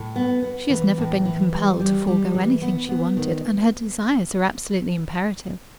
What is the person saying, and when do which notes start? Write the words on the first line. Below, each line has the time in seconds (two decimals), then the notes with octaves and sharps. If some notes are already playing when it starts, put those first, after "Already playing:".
She has never been compelled to forego anything she wanted, and her desires are absolutely imperative.
Already playing: A2
0.16 B3
0.42 B3
0.70 E3
0.98 A2
1.25 E3
1.53 G3
1.80 G3
2.07 G3
2.34 E3
2.62 B3
2.89 B3
3.17 D#3